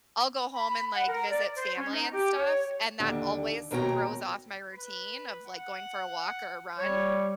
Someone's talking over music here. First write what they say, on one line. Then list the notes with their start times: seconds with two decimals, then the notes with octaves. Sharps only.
I'll go home and, like, visit family and stuff, and that always throws off my routine of, like, going for a walk or a run,
0.53 B5
0.93 F#5
1.07 A#4
1.29 D5
1.56 C5
1.76 C#4
1.91 D#4
2.11 G4
2.35 C#5
3.00 D#2 D3
3.71 D#2 B2 A#4 C#5 G5 A#5
4.72 B4
5.47 F#5
6.77 G3 C#5 C#6